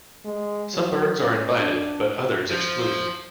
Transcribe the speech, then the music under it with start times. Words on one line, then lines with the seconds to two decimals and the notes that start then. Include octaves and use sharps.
Some birds are invited, but others excluded.
0.25 G#3
0.73 F#3
1.19 C#4
1.58 D4
2.50 F3